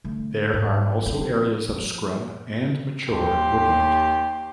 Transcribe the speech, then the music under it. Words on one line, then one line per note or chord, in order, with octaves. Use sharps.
There are also areas of scrub and mature woodland.
D3 A3
G#2
F3 C4
F3
D#2 G4 C6